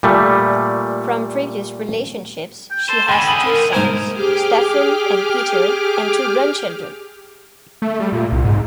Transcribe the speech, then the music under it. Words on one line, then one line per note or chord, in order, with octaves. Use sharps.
From previous relationships, she has two sons, Stephen and Peter, and two grandchildren.
A#2 G3 A3
G5
A4 C5
G#2 D3 G5 G#5 B5
D#6 F#7
A#4
G#2 A#4 C5 G#6
G4 G#4 G5 D6 F6
A3
G3
A#2
C2
G#2